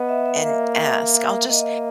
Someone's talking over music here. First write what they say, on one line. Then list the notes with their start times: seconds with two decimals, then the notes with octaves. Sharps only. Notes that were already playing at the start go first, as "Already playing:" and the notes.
and ask, I'll just
Already playing: B3 D#5
0.09 E5
0.26 E5
0.44 A#3
1.48 A#3 D#5
1.66 D#5